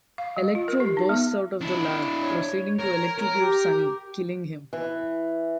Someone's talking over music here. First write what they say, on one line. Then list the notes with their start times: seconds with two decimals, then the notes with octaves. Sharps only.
Electro bursts out of the lab, proceeding to electrocute Sonny, killing him.
0.18 F5
0.37 G3
0.55 F4
0.68 A#4
0.80 G4
0.97 D#4
1.09 B3
1.61 D4 E4
2.21 C#5
2.79 A#4
3.18 A#4
3.39 G4
4.73 E3